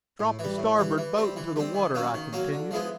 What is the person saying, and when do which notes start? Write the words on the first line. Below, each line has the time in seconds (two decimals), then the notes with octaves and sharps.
"Drop the starboard boat into the water," I continued.
0.20 A2
0.39 E3 G3
0.58 A2
0.79 E3 G3
0.98 E3
1.17 G3 C4
1.36 E3
1.56 G3 C4
1.74 D#3
1.94 F#3 A#3 C#4
2.14 D#3
2.33 F#3 A#3 C#4
2.52 D3
2.71 F3 G#3 B3 E4